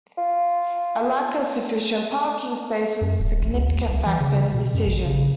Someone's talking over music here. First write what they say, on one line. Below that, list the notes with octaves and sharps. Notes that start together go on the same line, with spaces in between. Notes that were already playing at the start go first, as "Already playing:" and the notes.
A lack of sufficient parking space was a significant factor in the decision.
F4
F#2
D1
A1
C#2
D#2
C2
E3
C#3
B2
F#2
A1
C#3